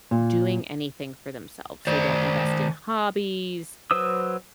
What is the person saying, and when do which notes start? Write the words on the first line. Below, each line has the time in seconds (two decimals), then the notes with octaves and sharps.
doing anything for themselves. They don't invest in hobbies.
0.11 A#2
1.87 D#3 C5 D5
3.91 F#3 B4 C5 D#6 E6